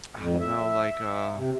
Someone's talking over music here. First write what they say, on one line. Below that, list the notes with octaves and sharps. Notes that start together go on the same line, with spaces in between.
I don't know, like, uh
F2
E5
C3